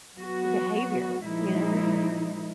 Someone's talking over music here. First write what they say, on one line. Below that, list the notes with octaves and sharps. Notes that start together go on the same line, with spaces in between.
behavior, you know?
F#3 B3 F#4
A#2 F3 G#3 D#4 E4